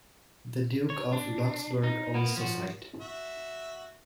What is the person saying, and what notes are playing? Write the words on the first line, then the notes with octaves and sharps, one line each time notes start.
The Duke of Roxburghe owns the site.
C#5
D4
D#4
A#3 B3
F3 F#4
F#4 E5